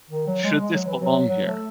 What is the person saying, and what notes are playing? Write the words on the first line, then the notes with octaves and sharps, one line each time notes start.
"Should this belong here?"
D#3
F#3
G#3
G#3
F#3
E3
F#3
F#3
A3